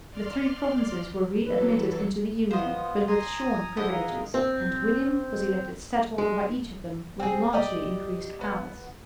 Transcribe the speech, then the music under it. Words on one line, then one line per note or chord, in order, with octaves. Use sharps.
The three provinces were re-admitted into the Union, but with shorn privileges; and William was elected stadholder by each of them with largely increased powers.
D5 C6 F6
E3 F#3 A4 B4
B3 F4 C5 D#5
G#5 A#5 C6 D#6
D4 E4 C5 D5 D#5 F#5
F4 G#4 A#4
C4
G#3
C4 G#4
G4 D5 D#5
B3